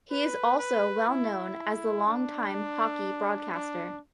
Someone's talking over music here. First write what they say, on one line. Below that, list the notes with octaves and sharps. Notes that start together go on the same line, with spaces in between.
He is also well known as a long-time hockey broadcaster.
B4
B4
E4
D4
D4